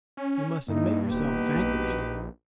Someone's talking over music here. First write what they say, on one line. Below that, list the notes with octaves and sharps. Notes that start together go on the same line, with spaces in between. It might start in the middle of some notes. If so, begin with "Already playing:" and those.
"You must admit yourself vanquished!"
C#4
G2 A#3 D#4 E4
D#1 E2 G2 B2 D#4 G4 B4
A#1